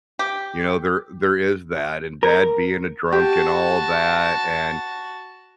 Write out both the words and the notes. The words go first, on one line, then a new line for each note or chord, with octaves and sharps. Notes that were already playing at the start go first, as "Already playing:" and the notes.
you know? There there is that and dad being a drunk and all of that, and
G4
A#4
F#4 G4 A5